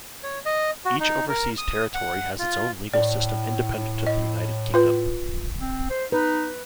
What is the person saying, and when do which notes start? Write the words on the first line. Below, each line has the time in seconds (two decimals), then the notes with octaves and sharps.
Each overseas territory has its own legal system independent of the United Kingdom.
0.23 C#5
0.46 D#5
0.85 F#4
1.00 D#4
1.29 A#4
1.58 D#6
1.94 F#5
2.39 F4
2.93 A2 D5
4.07 D#5
4.74 F4 B4
5.61 C4
5.90 C5
6.12 D#4 B4